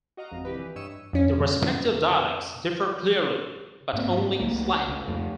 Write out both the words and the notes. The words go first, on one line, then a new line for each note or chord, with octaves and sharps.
The respective dialects differ clearly, but only slightly.
F#4 D#5 F5 A#5
G#1 F2
C2 G4 B4
E3
G2 C#5 D#5 E6 C#7 E7
F2 C#4
G#2 A#3 C4
C#2 A3 A#3
C#2
F2 A3